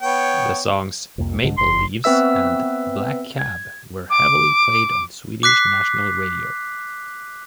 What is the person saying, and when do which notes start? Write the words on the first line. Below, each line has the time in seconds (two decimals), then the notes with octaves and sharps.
The songs "Maple Leaves" and "Black Cab" were heavily played on Swedish national radio.
0.01 B3 C#5 G5
1.18 C2 F2 A#3
1.43 C2 G#2 D3
1.58 F#1 C6
2.04 B3 C4 B4 E5 E6
3.39 G#6
4.10 D6
5.43 D6 F#6 B6 C7